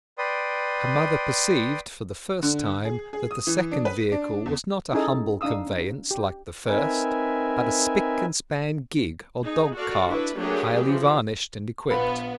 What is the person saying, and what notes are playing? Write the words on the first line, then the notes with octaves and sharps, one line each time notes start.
Her mother perceived, for the first time, that the second vehicle was not a humble conveyance like the first, but a spick-and-span gig or dog-cart, highly varnished and equipped.
B4 D5 G5 C6 D#6
D3
G#4
G#4
D#6
E3
D4
B4
D4
E2
C#4 D#4 E4 G#4 A4 D#5
D4 D#4 F5 D#6 E6
C#4
G4
C4 D#4 A#4 B4 E5 G#5
D#4 G#4
F#4 A4 D5 F5
D4 E4 B4
F#3 A3 A#3 D4 G4 G#4
E3 F3 C4
A#1 B3 F4 B5